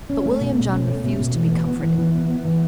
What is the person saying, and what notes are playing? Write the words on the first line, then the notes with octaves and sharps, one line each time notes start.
But William John refused to be comforted.
C#4
A3
B2
B2
C#4
A3
B2
B2
E3
B3
B3
E3
E3
B3
B3
E3